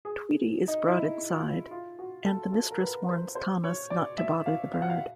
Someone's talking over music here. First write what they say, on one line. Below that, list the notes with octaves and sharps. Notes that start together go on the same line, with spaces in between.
Tweety is brought inside, and the mistress warns Thomas not to bother the bird.
G#4
D#4
E4
F4
F4
F#4
A4
A4
A#4
B4
C5
C5
C#5
D5
E5
F5
F5
F#5
F5